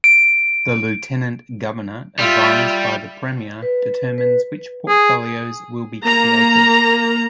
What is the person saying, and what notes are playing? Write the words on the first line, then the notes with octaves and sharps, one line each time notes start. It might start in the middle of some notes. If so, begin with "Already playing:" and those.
The Lieutenant Governor, advised by the Premier, determines which portfolios will be created.
D7
G3 F4 E5
B4
B4
G#4
A#3 A#5